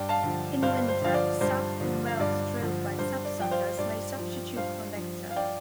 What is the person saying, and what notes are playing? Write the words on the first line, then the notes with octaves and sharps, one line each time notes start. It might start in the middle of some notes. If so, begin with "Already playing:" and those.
In winter, sap from wells drilled by sapsuckers may substitute for nectar.
Already playing: G2 D5 G5
F5 A5
D3 F3
G2 C5 F5
C5
D3 F3 F5
D5
G2 C5
D3 F3
F5
G2 D5
D3 F3
G2 C5
D5
F3 G5
C5 F5
G2 D5
F3
G2 C5 F5
F3
F5
D5 G5